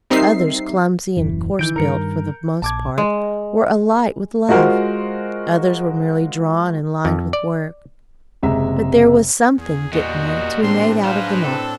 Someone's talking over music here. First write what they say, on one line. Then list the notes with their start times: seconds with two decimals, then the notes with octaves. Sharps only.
Others, clumsy and coarse-built for the most part, were alight with love; others were merely drawn and lined with work; but there was something, Dick knew, to be made out of them all.
0.10 G3 C4 D#4 A#4 E5 C7
1.17 D#1 F#2 E3
1.59 D#3 E3 G6 D7
1.76 G2 D#3 A#4 C#7
2.62 A#1 A5 D6 G#6
2.98 G#3
4.49 G#3 F4 F#4 A#4 C5
7.05 F2
7.33 D5
8.43 F#1 C3 G#3 E5 A#5
9.58 E2 G#4
9.93 E2 A#2 G3 F#4 D#5
10.28 D#5
10.63 A2 C4 D4 C6
11.05 G#3 B4 C5 F5
11.44 C4 A4